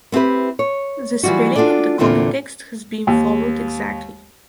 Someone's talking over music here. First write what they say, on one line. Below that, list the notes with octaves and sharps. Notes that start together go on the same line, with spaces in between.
The spelling of the copy-text has been followed exactly.
B3 C4 E4 G4 B4
C#5
E3 F#3 G3 F4 F#4
D4 F4 F#4 A4 D5
E2 A#2 D3 C4 F4
D#2